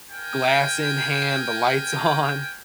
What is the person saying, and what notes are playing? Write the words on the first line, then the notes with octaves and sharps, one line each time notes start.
glass in hand, the lights on?
A#4 G5 G#5